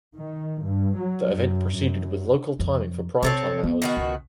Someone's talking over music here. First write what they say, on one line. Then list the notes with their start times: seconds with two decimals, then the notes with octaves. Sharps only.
The event proceeded with local timing for prime time hours.
0.17 D#3
0.65 G2
0.99 F#3
1.34 F#2
1.76 F#2
2.59 F2
3.23 C3 C4 A4 C#5
3.63 B3
3.82 B2 D#3 F#4
3.97 C#2